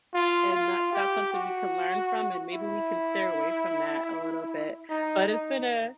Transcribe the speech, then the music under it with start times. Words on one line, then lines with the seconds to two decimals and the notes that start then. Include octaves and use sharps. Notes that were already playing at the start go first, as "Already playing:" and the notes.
and not that's something we can learn from, and maybe we can stay away from that a little bit. But it's been a
0.14 F4
0.53 F4
0.92 G4
1.33 F#4
2.51 E4
4.89 D#4
5.29 D#4